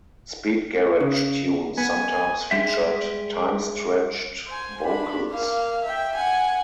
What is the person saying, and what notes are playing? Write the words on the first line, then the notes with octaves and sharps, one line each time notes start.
Speed garage tunes sometimes featured timestretched vocals.
C#3
B3 G#5
G3 G#3 G4 E5
C5 G#5
D4 B5
A#3 F5
E5 G5
F#5 G#5